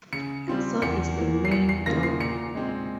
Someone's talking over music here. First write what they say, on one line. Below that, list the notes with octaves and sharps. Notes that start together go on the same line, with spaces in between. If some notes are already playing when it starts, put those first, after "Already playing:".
So is the main door.
C#3 C#7
G3 C4 F4
E2 C#7
E3 A#3
C7
E2 C#7
C7
C#3 F3 A#3 F4 A#6
C7
A#2 C#7
G#3 C4